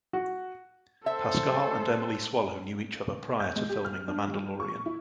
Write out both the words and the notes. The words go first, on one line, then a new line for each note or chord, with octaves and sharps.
Pascal and Emily Swallow knew each other prior to filming "The Mandalorian".
F#4
A4 C5 E5
G6
G#3
G4
F6
D4
G3
C#6
E4